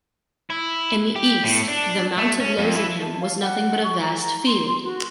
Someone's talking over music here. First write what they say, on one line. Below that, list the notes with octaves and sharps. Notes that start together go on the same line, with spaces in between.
In the East, the Mount of Lozinghem was nothing but a vast field.
E4
G4
A2
D4
A3
C#4
F2
E3
A5
F5
F#5
C#6
A#5
A#5
C6
F#4